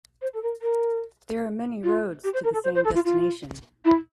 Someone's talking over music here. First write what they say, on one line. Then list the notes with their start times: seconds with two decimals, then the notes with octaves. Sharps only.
There are many roads to the same destination.
0.21 C5
0.33 A4
0.42 A#4
0.61 A#4
1.83 F4
2.23 G4
2.33 C5
2.43 A#4
2.53 A4
2.63 C5
2.74 C5
2.84 A4
2.94 F4
3.04 F4
3.84 E4